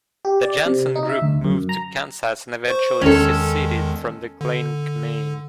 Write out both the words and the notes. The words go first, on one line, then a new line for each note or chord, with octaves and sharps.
The Jansen group moved to Kansas and eventually seceded from the Kleine Gemeinde.
G4
D5
C3
D#4
E5
D2
F#2
A#5
C5 C#6
E2 D#3 G#3 C#4 A4
D3